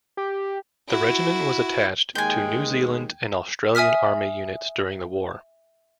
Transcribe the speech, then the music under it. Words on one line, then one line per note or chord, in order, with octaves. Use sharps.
The regiment was attached to New Zealand and Australian army units during the war.
G4
E4 F#4
D#2 G#3 G5 G#5
E5 G#5 D#6 F6 B6